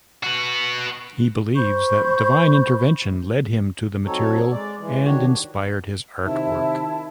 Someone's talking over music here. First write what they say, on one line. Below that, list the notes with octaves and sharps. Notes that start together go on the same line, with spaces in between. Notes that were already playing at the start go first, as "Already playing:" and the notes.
He believes that divine intervention led him to the material and inspired his artwork.
F#4 B4
C5 B5 C#6 G6
F#3 C4 D#4 A4 C#5
G#3 D5
E3 G#3
D#3 D4 F#4 G4 C#5
C3 D#3 E4 E5 A5